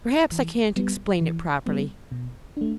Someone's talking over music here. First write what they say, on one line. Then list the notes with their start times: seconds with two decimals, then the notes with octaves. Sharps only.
Perhaps I can't explain it properly.
0.32 E3
0.76 G3 B3
1.21 E3
1.66 G3 B3
2.12 B2
2.57 A3 D4